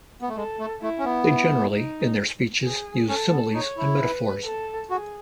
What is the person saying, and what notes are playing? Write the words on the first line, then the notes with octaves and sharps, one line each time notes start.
They generally in their Speeches use Similies and Metaphors.
B3
A3
G#3 A4
A3
A3 E4
C#4
B3
E4
D#4
G#4
C#4 A4
B3
D#4 C#5
E4
B4
A4
F#4 G#4